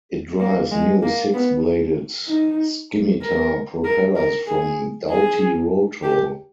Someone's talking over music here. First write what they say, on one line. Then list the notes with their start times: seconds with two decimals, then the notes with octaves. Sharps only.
It drives new six-bladed scimitar propellers from Dowty Rotol.
0.40 A#3
0.71 G#3
1.02 A#3
1.34 B3
2.28 D#4
3.22 A#4
3.84 A#4
4.16 A#4
4.47 G#4
5.09 G#4
6.03 G4